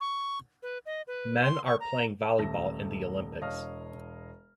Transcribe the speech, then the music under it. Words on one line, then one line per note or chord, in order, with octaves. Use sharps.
Men are playing volleyball in the olympics.
C#6
B4
D#5
B4
C6
C#6
A#5
D#1 A3 A5 A#6
E1 C#5 D#5 F5 A5 F6